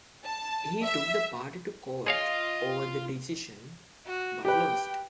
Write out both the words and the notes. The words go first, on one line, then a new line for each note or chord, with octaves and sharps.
He took the party to court over the decision, but lost.
A5
E5
F4 G#4 C#5 D#5 F5
F#4
G4 B4 G5